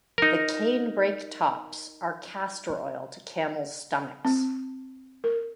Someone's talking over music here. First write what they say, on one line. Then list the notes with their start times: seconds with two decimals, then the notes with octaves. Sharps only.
The canebrake tops are castor-oil to camels' stomachs.
0.18 D#4 A#4
4.25 C4
5.24 A#4